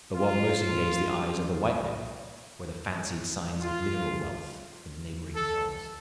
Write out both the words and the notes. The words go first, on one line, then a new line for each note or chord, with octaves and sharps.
But what most engaged the eyes of the white men were the fancied signs of mineral wealth in the neighboring hills.
F4
F4
A4